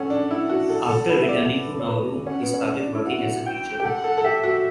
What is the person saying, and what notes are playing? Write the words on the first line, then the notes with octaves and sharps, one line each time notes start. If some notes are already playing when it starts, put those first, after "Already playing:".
After returning to Nauru, he started working as a teacher.
Already playing: C#4 A4 F#5
D4
E4
F#4
A4
A4
B4
E5
D5
C#5
B4
C#4 F#5
B3
C#4
D4
E4
F#4 F#5
G5
G4
A4 F#5
A4
A4
G4 E5
F#4